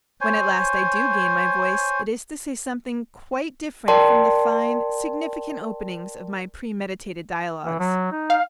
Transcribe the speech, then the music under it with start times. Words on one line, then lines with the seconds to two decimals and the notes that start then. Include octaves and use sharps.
When at last I do gain my voice it is to say something quite different from the fine, significant openings of my premeditated dialogues.
0.21 C5 C#5 G#5
3.88 A#4 D5 G5 A5 C6
7.66 E3
7.79 F#3
8.12 D#4
8.30 F5